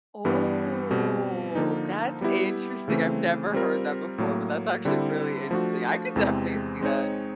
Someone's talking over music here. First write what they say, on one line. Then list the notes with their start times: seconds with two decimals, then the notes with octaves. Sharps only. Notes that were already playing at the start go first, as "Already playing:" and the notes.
Oh, that's interesting, I've never heard that before, but that's actually really interesting. I could definitely see that.
0.25 G2 E3 G3 B3
0.91 B2 G3 C4
1.55 D3 F3 A#3 D#4
2.21 G3 B3 E4 G4
2.88 C#3 E3 A3 C4
3.53 G3 C4 F4 A#4
4.18 A2 F#3 A#3
4.85 D3 G3 C4 E4
5.51 F3 A3 D4 F#4
6.16 E2 C3 E3 G#3 C4
6.81 G#3 C4 D#4 G#4 C#5